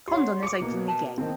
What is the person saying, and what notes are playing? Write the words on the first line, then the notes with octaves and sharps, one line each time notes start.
Condon is openly gay.
G4 C#5 F#5 C6
G#4 D6 C#7
B2 A#3 B3
A5
D#3 C4